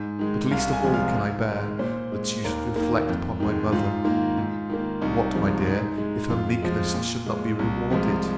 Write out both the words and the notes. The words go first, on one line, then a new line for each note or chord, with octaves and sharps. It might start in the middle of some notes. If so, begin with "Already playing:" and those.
But least of all can I bear that you should reflect upon my mother. What, my dear, if her meekness should not be rewarded?
Already playing: G#2
D#3 G#3
C2 F5
G#5
C3 F3 G#3
F5
G#2
D#3 G#3
A#2 C5
G#3
D#2 A#4
D#3 A#3
F2
D#3 G#3
G#2 F4
D#3 A#3
G#2
D#3 A#3
C2 D#4
C3 F3 G#3
G#2
G#3
F2 F4
F3 G#3
A#2
G#3
C2
C3 F3 G#3